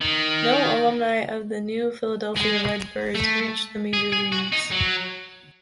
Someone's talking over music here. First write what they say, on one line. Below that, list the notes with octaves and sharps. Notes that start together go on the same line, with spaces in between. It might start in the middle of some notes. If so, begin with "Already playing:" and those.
No alumni of the New Philadelphia Red Birds reached the major leagues.
D#3
G#3
A3
G#4
G#4
F#4
D#4
F#3